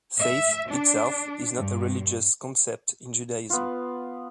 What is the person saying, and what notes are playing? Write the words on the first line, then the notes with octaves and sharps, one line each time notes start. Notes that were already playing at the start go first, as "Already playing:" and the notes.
Faith itself is not a religious concept in Judaism.
E5
D4
G2
B3 F4